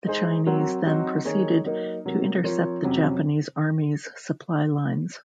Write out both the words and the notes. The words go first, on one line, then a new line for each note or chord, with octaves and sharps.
The Chinese then proceeded to intercept the Japanese army's supply lines.
G#3 D#4 G#4 C5
F#3 C4 F#4 A#4
F#3 C4 D#4 F#4
D#3 A#3 D#4 G#4 C#5
F#3 A#3 D#4 A#4
C3 F#3 A#3
F3 C4 F4 A#4 C#5
F2 C3 F#3 C#4